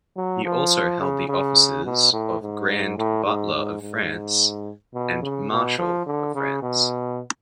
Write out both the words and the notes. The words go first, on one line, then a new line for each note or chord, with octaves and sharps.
He also held the offices of Grand Butler of France and Marshal of France.
F#3
F3
C#3
C#3
B2
A2
G#2
A2
G#2
G#2
G#2
B2
C#3
B2
F3
D3
C#3
B2